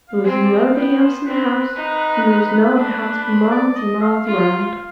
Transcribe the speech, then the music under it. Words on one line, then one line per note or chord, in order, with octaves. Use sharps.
There was nobody else in the house, and there was no other house for miles and miles around.
F5
C4 G#5
D5
D#5
F5
B3 G5
C5
C4 B4
D#4
D4 B4
B4
D5
D#5
F5
F4
F5